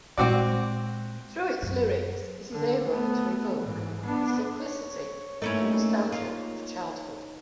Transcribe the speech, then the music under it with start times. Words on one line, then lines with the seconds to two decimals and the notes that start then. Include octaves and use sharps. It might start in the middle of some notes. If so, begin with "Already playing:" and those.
Through its lyrics, it is able to evoke the simplicity and nostalgia of childhood.
0.18 A#2 G#3 C4 F#4 D5
1.62 F#2
2.52 D3
2.89 A3 B3
3.58 G#2 E3
4.04 B3 D4
4.61 C#5
5.42 A3 A#3 C#4 D#4 E4 C#5
6.12 F4